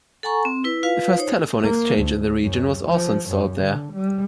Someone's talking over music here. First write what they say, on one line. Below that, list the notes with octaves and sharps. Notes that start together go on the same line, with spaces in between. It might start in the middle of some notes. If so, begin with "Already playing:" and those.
The first telephone exchange in the region was also installed there.
A4 F#5 G#5 A#5 C#6
C4
E4 B4
F4 B4 F5
D#4 C5 C#5
A#3
D2
F#2
F3
F#2
D3
G3